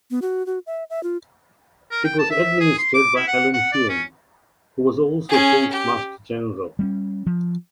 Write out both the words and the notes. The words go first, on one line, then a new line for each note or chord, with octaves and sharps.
It was administered by Alan Hulme, who was also Postmaster-General.
B3
F#4
F#4
E5
E5
F4
A#4
G5
A5
E5
G#4
C6
D6
E4
F#5
F#5
D5
C#4
C#4 G#4
G4
G3 A#3 C#4
F3